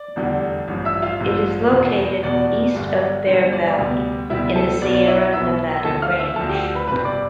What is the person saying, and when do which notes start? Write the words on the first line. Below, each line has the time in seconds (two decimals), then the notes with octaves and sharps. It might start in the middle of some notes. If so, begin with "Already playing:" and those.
It is located east of Bear Valley in the Sierra Nevada range.
Already playing: D5
0.16 F1 E2 D3 G3
0.68 A1 G2 F3
0.85 E5 E6
1.02 F4 F5
1.20 A1 G2 F3
1.72 F1 E2 B2 B3
2.23 F1 E2 B2 B3 D5
2.75 G1 G2 D3 G3 D4
3.26 G1 G2 D3 G3 D4 C5
3.53 D5
3.78 D2 C3 G3 B3
4.30 D2 C3 G3 B3 E4 E5
4.56 A4 A5
4.81 B1 B2 B3 D5
4.94 D5
5.07 E4 E5
5.33 B1 B2 B3 E5 E6
5.84 D2 D3 F3 A4 A5
6.02 F5 F6
6.19 E5 E6
6.36 D2 D3 F3 A4 A5
6.49 G4 G5
6.75 B4 B5
6.88 G1 F2 C3 G3 C4 B4 B5
7.05 D5 D6